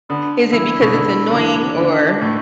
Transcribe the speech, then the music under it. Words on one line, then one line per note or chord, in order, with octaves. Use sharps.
Is it because it's annoying or
D3 B3
E3 E4
B2
D3
D3
E3 D4
D3
A2 A3